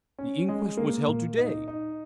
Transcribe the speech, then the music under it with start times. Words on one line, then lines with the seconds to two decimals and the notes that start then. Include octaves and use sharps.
The inquest was held to-day.
0.19 C#4
0.49 G#3
0.77 A#3
1.08 A#2
1.38 D#4
1.68 D#4